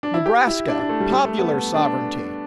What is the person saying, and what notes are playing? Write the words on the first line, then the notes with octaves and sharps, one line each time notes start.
Nebraska--Popular Sovereignty.
D4
E4
G4
E4
D4
D4
A3
G3
G3
A3
B3
A3
D4